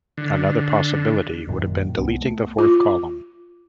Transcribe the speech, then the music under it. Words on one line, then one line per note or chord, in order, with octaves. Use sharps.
Another possibility would have been deleting the fourth column.
D3
A#1 F#2 A#2 D#3
C2 B3
A3
F4